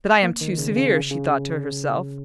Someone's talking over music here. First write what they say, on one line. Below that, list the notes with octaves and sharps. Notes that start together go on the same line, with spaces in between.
"But I am too severe," she thought to herself.
A#3
D#3
C#3
C#3
C#3
C#3